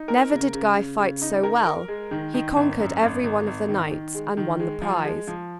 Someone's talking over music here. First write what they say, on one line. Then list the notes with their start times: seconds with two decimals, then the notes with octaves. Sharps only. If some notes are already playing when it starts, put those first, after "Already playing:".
Never did Guy fight so well; he conquered every one of the knights, and won the prize.
Already playing: D#4
0.08 A#4
0.31 C#3
0.53 C#3
0.76 C#3
0.99 C#3
1.22 D#4
1.43 A#4
1.66 A#4
1.88 G#3
2.11 D#3
2.34 D#3
2.56 G#1
2.79 F#2
3.01 G#1
3.23 G#1
3.47 G#1
3.68 D#3
3.91 D#3
4.14 G#3
4.37 D#3
4.60 G#3
4.82 F3
5.04 G#3
5.27 F3